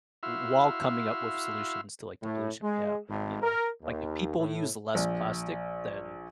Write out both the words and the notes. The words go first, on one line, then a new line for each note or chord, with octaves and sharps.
W while coming up with solutions to, like, the pollution we have, you know? Like, if people use less plastic, then
E4 F#4 E5 F5 C6
A2
G#3
G#1
A#4
D#2
A2
A#1